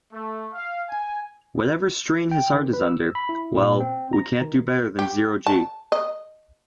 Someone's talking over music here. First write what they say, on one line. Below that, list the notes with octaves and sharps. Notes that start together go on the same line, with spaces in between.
Whatever strain his heart is under, well, we can't do better than zero "g".
A3
F5
G#5
G5
D#3
B4
E6
B5
E4
A#2
C4
A#5
D#3
G4
A5
D#5